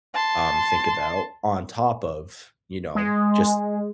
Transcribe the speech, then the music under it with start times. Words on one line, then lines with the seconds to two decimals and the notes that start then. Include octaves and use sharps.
um, think about on top of, you know, just
0.14 A5 C6
2.95 G#3